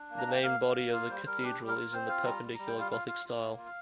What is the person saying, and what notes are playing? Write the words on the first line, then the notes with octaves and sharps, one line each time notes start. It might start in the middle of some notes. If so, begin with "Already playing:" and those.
The main body of the cathedral is in the Perpendicular Gothic style.
Already playing: D4
A#3
A#5
A#3 G5
A#3 F5
A#3
A#3
F4 F5
G3 C5
G3 A#4
D4 G4
G3
A#4
F4
C4 C5
F4 F5
G3 A#5
G3
G3 A#5
G5
F4 F5
F4 F5
F4 F5
F4
A#3
F4
F5